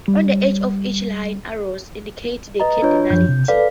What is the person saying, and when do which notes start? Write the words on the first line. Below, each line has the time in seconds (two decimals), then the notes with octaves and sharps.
On the edge of each line, arrows indicate the cardinality.
0.08 G3
2.60 B4 D#5 A#5
2.82 D4 F4 C#5
3.10 F#2 F3 G6
3.29 C3
3.48 A4 B4 D5 F5